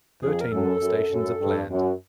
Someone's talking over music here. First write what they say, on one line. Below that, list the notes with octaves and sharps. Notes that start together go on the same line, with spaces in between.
Thirteen more stations are planned.
F2 G#4
A#4
F#2 A4
F#2
F#2
G2
F#2